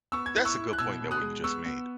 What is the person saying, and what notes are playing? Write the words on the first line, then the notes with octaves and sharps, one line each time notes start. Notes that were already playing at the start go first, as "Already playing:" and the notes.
That's a good point that what you just made,
B3 C#6 E6
G#6
E4 F#6
C#6 E6
E4
F#6
B2 E6 G#6
B2
D#6 F#6
G#3
B3 C#6 E6
B3